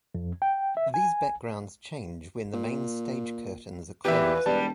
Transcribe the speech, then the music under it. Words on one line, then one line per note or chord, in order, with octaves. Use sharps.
These backgrounds change when the main stage curtains are closed.
F2
G5
E5
G#5
A#2
E2 A#2 E3 G4 B4 E5
E1 G3 A5